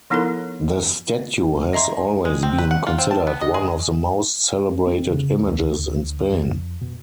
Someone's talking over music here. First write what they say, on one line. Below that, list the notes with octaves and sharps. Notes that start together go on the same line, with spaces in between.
The statue has always been considered one of the most celebrated images in Spain.
F3 B3 D#4 E4 A4 A#4
D#5 E5 A#5 C6
G#3
C4
B4
F#5
F4
C4
A5
B3
D#5
G#4
C4
C#3
D2
F2
B2